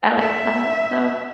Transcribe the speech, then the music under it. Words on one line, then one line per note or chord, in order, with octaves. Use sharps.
I like that, so
E5